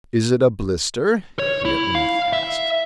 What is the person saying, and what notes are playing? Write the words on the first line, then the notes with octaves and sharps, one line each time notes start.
"Is it a blister?" he at length asked.
C#5
E4
F5
E5